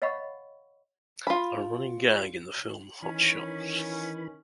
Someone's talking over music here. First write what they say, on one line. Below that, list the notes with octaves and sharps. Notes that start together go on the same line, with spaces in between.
A running gag in the film Hot Shots!
C#5 D#5 F5 F#5 B5 C#6
F4 B5
D#3 E3 C#4 B5